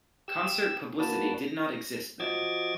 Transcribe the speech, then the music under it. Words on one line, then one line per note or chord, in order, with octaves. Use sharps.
Concert publicity did not exist then.
G4 E6
A#3 D4 F#4 B4 A5
A#6
F3 F#4 D#5 D6 G#6 A6